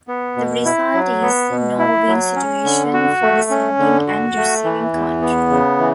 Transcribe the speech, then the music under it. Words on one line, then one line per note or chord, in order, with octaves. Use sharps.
The result is a no-win situation for the sending and receiving country.
B3
B2
E4
F#3
B3
B2
E4
F#3
C#4
D3
F#4
A3
C#4
D3
F#4
A3
E3
E2
B3
C#3
E3